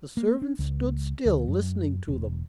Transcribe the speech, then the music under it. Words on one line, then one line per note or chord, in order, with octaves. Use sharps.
The servant stood still listening to them.
A#3
D4
C#2
D2
F#2
E1